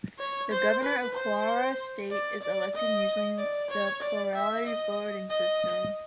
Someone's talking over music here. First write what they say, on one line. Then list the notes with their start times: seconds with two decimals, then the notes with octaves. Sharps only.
The Governor of Kwara State is elected using the plurality voting system.
0.19 C#5
0.52 C5
0.83 B4
1.15 C5
2.11 D5
2.43 D5
2.75 D#5
3.39 D5
3.70 C#5
4.03 D5
4.35 E5
4.67 D#5
5.31 D#5